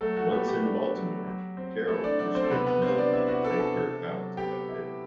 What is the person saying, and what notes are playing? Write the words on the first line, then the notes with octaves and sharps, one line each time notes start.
Once in Baltimore, Carol persuades Melvin to take her out to have dinner.
F#3 A3 A4
F#4
B3 G4
G4
D4
F#3
F#3
C4
A3 E4 A4
D4 D5
F#3 D4 D5
C4 C5
A4
C3 B3 B4
B3 B4
G3 C4 C5
D4 D5
B3 E4 E5
F#4 F#5
D4 A4 A5
A4 A5
C3
F#3
B3 G4 G5
E4